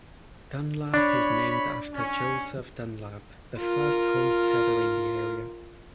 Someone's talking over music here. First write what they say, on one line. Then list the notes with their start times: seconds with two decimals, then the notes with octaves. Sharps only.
Dunlap is named after Joseph Dunlap, the first homesteader in the area.
0.94 D4 C#5 B5
1.94 C#4
3.58 F4 A#4